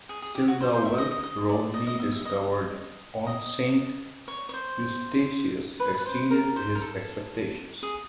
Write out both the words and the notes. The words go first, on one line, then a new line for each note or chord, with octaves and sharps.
Still, the wealth Rodney discovered on Saint Eustatius exceeded his expectations.
G#4
G#4
G4
F#4
C5
C5
E5
D#5
D#5
D#5
D5
D#5
D#5
E5
E5
D#5
D#5
C#5
C#5
C5
B4
B4
C5
A#4
C5
A#4
A4
G#4